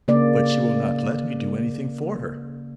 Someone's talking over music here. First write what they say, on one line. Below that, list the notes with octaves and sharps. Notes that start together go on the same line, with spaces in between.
"But she will not let me do anything for her."
C#3 A#3 D5